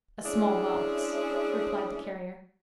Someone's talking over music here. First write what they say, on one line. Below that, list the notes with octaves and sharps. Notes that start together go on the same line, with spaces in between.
"A small box," replied the Carrier.
G#3 C#4 D4 E4 G#4